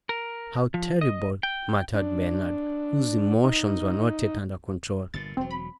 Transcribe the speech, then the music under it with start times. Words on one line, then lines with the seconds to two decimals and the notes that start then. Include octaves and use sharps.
"How terrible!" muttered Bernard, whose emotions were not yet under control.
0.09 A#4
0.74 F3
1.01 D#5
1.43 G5
1.95 D4
3.44 D#4
5.14 G1 A#2 A6
5.37 E1 F#3 C4
5.51 B5